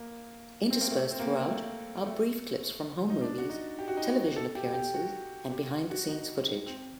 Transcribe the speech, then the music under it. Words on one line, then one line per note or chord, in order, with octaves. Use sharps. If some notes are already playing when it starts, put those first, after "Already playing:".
Interspersed throughout are brief clips from home movies, television appearances and behind-the-scenes footage.
Already playing: A#3
C4
A#3
A3
C4
A#3
A3
A3
D#4
D4
F#4
D#4
G4
F#4
D#4
F#4
A4
G4
G4
F#4
G4
F#4
D#4
C4